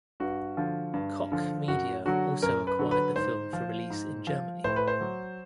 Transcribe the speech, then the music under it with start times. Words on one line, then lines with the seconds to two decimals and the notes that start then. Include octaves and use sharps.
Koch Media also acquired the film for release in Germany.
0.20 G2 F#4
0.57 D3 F3
0.94 G2
1.32 D3 F3
1.68 F#2 F#4
2.06 D3 F#3 F#4
2.42 F#2 A#4
2.67 B4
2.79 D3 F#3
2.91 B4
3.16 G#2 C5
3.53 F3
3.90 G#2
4.27 F3
4.64 A2 C5
4.76 B4
4.88 C5
5.01 F#3